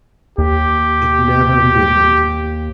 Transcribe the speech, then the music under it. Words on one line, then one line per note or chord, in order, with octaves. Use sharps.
It never reopened.
D#2 G4